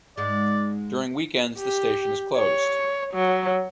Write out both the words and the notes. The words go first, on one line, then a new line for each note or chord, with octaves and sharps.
During weekends, the station is closed.
G#2 G#3 D5
G4
C#5
F#3